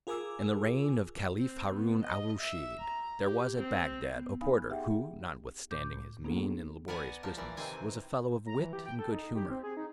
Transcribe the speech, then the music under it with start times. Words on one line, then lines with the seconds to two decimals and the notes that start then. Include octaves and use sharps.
In the reign of Caliph Haroon al Rusheed, there was at Bagdad, a porter, who, notwithstanding his mean and laborious business, was a fellow of wit and good humour.
0.07 F4 G#4 A#4 G#5 D6 E6
1.37 C4
1.74 B3
2.04 D#5
2.40 E5
2.79 A#5
3.22 G4
3.58 C4
4.15 B3
4.41 D#4 F5 G#5 B5
4.70 G4 G#4 E5 F#5 G5
5.71 A2 D6 G6
6.24 A#3 B3 D4 D#4 G#4 A4
6.88 B3 A#4 D5 F#5 G#5
7.23 F3 A#4 A5
7.37 A#2 E3 A#4 D5
7.57 C3 D#3 E3 C4 G#5
8.46 A#5
8.60 E3
8.73 G4
8.86 G5
8.99 A4
9.12 D#4
9.36 G4
9.50 C4
9.63 G#4
9.77 D#4